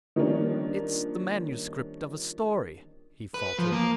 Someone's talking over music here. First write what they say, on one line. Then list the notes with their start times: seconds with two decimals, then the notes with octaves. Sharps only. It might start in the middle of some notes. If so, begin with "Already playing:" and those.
"It's the manuscript of a story," he faltered.
0.16 D#3 F3 G3 A#3 C#4 D4
3.34 B4
3.59 F3
3.72 A#3